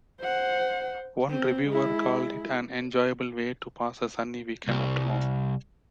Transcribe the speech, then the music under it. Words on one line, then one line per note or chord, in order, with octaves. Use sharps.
One reviewer called it an enjoyable way to pass a sunny weekend afternoon.
C5 F#5
C4
G#3 E4
C2 G3